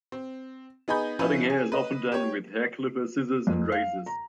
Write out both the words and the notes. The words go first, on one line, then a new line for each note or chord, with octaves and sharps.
Cutting hair is often done with hair clipper, scissors and razors.
C4
B3 D#4 G#4 D#5 B5 G6
F3 C#4 E4 B4
G#4
B4 D#5
G4 C#5
F2
F5
A#5